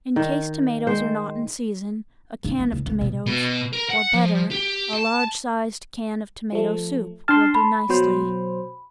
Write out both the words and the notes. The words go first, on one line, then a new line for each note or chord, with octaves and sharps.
In case tomatoes are not in season, a can of tomatoes, or, better, a large-sized can of tomato soup will do nicely.
D#3
G#3 C5
G2
A#3
C#2
C#2
B2
B2
A#4
F#5
F3
G4
A5
F3 A3
D4 A5 C6 F6
B5
B2 F#3 C5